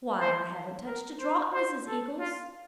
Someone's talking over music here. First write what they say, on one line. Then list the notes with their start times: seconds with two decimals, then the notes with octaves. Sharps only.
'Why, I haven't touched a drop, Mrs. Eagles!'
0.21 C5
0.87 A#4
1.20 C5
1.53 C5
1.87 A4
2.20 F4